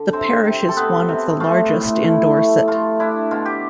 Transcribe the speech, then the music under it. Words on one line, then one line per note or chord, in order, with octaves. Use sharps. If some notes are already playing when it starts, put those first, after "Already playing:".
The parish is one of the largest in Dorset.
Already playing: D3
C3 C4 C5
C3
A4
B3 C4 B4
C3
A3 F4
A2
F3 E4
A3
A3 F4
D4 E4
B2 F4
G4